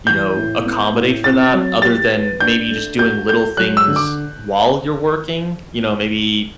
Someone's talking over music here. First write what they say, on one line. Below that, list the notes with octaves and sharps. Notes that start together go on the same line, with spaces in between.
you know, accommodate for that other than maybe just doing little things while you're working. You know, maybe,
E3 G6
A2
B3
A2
C4 A6
F#3
G4 A6
B4
D4 G6
A3
F#4 G6
A4 G6
F#3 F#6
E6
D3
D6